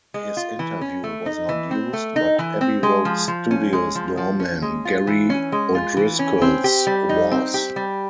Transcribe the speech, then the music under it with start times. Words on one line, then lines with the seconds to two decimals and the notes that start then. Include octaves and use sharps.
His interview was not used, but Abbey Road Studios doorman Gerry O'Driscoll's was.
0.14 G#3
0.37 F4
0.59 E3
0.81 C#4
1.04 A3
1.26 D#4
1.49 E3
1.71 C4
1.93 A3
2.16 D#4
2.39 E3
2.61 C4
2.83 G#3
3.05 F3
3.28 F3
3.51 C#4
3.73 G#3
3.95 F3
4.17 F3
4.40 C#4
4.62 G#3
4.85 F4
5.07 E3
5.30 C#4
5.52 G#3
5.75 F4
5.97 E3
6.19 C#4
6.41 C4
6.64 G4
6.87 G3
7.09 D#4
7.31 C4
7.54 G4
7.76 G3